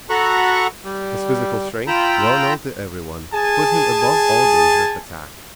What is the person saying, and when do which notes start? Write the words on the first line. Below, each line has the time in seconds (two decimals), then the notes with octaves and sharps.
His physical strength, well-known to every one, put him above all danger of attack.
0.10 F#4 A4 F#5 A#5 B5 C#6
0.84 G3
1.87 F4 G5 A#5 B5 E6
3.33 G#4 G#5 A5